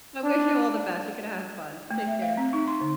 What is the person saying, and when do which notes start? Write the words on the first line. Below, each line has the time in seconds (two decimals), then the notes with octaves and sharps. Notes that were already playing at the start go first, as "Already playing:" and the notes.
I wish you all the best, you gonna have fun. Take care.
0.24 D4
1.91 A3
2.07 E5
2.22 F5
2.37 C4
2.53 D#4
2.67 C6
2.81 D3